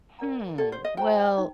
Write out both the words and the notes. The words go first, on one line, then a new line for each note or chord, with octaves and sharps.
Hmm. Well,
A#4 D5 F#5 A#5
G4 A4 D5 F#5
C5
D#5
F#4 C5 F#5 G5 A#5
D#4